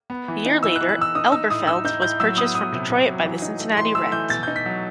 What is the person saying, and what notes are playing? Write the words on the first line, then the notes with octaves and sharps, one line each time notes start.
A year later, Elberfeld was purchased from Detroit by the Cincinnati Reds.
B3
E3
D#4
E3 E6
F#6
E3
F#6
E3 E6
D#4 D#6
D#4 E6
A2 D#6
D#4 E6
D#4 G6
A2 G6
F#3 E6
B3 D#6
B3 D#6
C3
C3
F#3
E3
D#4
A3
E3 C6
A3 E6
E3 G6
B2 A6
G6
D#4
B6
F#3